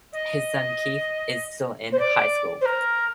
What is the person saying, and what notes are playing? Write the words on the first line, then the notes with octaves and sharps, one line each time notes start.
His son Keith is still in High School.
D#5
C5
D5
C5
A#4